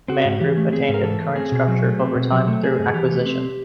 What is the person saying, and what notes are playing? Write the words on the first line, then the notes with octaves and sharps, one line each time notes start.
Man Group attained its current structure over time through acquisition.
C4 F#4
G#2
E3 G4
A3
C4 G#4
G#2
A#4
E3 A4
A3
C4 G#4
B2
F#3
A3
C4
B2
F#3
A3
C4 G#4
G2
E3 G4
A3
C4